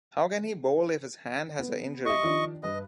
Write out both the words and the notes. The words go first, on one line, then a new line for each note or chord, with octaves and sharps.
How can he bowl if his hand has a injury?
B3
G4 D#5 E5 C#6
D#3 F3 D4
G2 B4 D#5